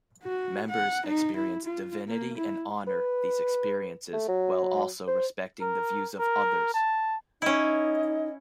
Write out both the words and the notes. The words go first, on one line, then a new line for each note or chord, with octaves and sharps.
Members experience Divinity and honor these experiences while also respecting the views of others.
F#4
F#5
D#4
E4
F4
A#3
E4
B4
A3
F#3
C5
A#4
A#4
A5
C#4 D#4 E4 D#5